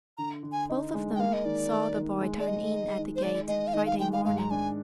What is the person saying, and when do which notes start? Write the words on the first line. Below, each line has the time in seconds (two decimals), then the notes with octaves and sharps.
Both of them saw the boy turn in at the gate Friday morning.
0.18 D3 A#5
0.43 D3
0.52 G#5
0.69 D#4
0.94 G#3
1.16 G5
1.19 A#3 F5
1.33 D#5
1.45 D#3 D5
1.70 D#3
1.95 D#3
2.21 G#3
2.40 D5
2.46 D#4 D#5
2.72 D#4
2.98 D#3
3.16 C5
3.23 G#3 D5
3.48 G#3 D#5
3.67 F5
3.74 D#3 D#5
3.86 F5
4.00 G#3 G5
4.13 F5
4.25 G#2 F5
4.38 A#5
4.51 D4 G#5